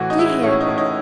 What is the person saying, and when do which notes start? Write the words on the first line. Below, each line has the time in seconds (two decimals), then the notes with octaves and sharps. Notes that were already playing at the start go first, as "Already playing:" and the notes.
Do you hear?
Already playing: A2 E3 A3 F#4
0.10 D#4
0.18 G#3 E4
0.43 A2 C#4
0.61 D#4
0.68 A2
0.78 D#4